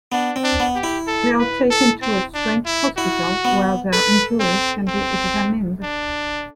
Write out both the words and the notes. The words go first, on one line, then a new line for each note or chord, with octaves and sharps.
They are taken to a strange hospital where their injuries can be examined.
B3 D4
C4
D4
B3
G4
E4
A4
B4
A4
C4
D4
E4
E4 F#4
B3
A4 B4
C4
C4
D4